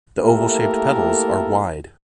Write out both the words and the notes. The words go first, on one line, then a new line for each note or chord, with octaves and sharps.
The oval-shaped petals are wide.
A3 A#3 E4 G4 A4 A#4